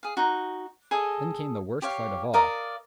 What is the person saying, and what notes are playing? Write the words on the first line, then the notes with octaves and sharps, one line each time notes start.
Then came the worst fight of all.
G#4 F5
D#4 F#4
G#4 A4 D#5
G4 C#5 F5
A#4 D5 D#5 F5